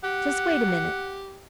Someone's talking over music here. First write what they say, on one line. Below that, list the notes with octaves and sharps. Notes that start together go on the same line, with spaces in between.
"Just wait a minute."
G4 F#5